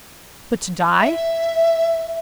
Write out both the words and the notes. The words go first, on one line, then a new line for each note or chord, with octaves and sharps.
But to die?
E5